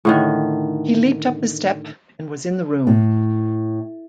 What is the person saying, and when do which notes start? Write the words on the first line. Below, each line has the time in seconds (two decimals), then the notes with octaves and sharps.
He leaped up the step and was in the room.
0.05 A2 D3 D#3
2.87 A2